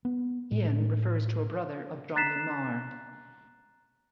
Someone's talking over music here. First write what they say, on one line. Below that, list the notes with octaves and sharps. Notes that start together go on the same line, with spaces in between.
"Ian" refers to a brother of Johnny Marr.
B3
A2
A#5 F#6 A6 B6 C7 E7